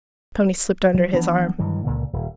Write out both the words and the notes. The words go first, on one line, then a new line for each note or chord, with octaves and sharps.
Tony slipped under his arm.
F#3
E3 B3 D4
G2 D#3 E3 F#3
C#2 A#2 D3
D#1